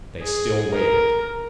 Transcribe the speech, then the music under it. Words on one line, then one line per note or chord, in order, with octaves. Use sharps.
They still waited.
G#4
A#4